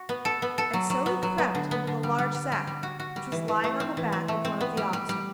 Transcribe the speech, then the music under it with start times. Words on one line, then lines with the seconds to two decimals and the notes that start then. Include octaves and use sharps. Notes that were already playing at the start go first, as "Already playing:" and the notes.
And so he crept into the large sack, which was lying on the back of one of the oxen.
Already playing: F#4
0.09 B3
0.25 A4
0.42 B3
0.58 A4
0.73 F#3
0.90 F#3
1.06 B3
1.23 F#3
1.38 B3
1.55 D3
1.71 B3
1.87 D3
2.03 G3
2.19 G3
2.35 G3
2.52 G3
2.67 G3
2.83 F#4
3.00 F#4
3.16 G3
3.32 E3
3.48 E3
3.64 A3
3.80 C4
3.97 E3
4.12 C4
4.28 A3
4.45 C4
4.61 B3
4.77 G3
4.93 G3
5.09 G3